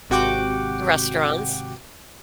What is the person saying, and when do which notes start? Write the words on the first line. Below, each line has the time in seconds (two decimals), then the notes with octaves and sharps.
The restaurants.
0.10 G#1 C3 F#4 F#5 G5 D6